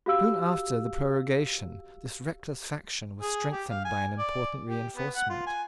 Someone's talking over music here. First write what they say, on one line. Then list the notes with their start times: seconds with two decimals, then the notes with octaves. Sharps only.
Soon after the prorogation this reckless faction was strengthened by an important reinforcement.
0.06 F#4 G4 F5 E6
3.22 G#4
3.52 G4
3.70 F5
3.85 G#5
4.19 D5
4.68 G4
4.96 B3
5.15 F#5
5.30 F4
5.46 G#5